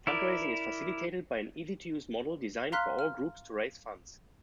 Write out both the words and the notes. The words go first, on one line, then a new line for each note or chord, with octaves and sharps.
Fundraising is facilitated by an easy-to-use model designed for all groups to raise funds.
E4 A#4 D5
F5 A#5 C6 F6 F#6 B6
F6